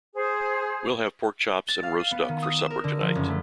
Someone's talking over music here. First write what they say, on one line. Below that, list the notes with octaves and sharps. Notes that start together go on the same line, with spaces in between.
We’ll have pork-chops and roast duck for supper to-night.
G#4 C5
A6
F5
D#7
B3
D#3
D#6
E7
A#4
D3
F3
F#1
A3